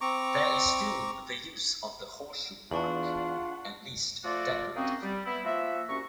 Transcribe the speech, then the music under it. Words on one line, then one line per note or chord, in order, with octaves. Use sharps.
There is still the use of the horseshoe arch, at least decoratively.
C4 A#5 C#6 D6
E2 D4 F4 F#5 A5 C#6 F#7
F3 A3 F4 F#4 A4 D5
A#3 C4 C#4 D#4 F#4 G#4
G3
B3 E4
F3 A#3 F4 F#4 E5
C2 C#4 F#4 A#5 C#6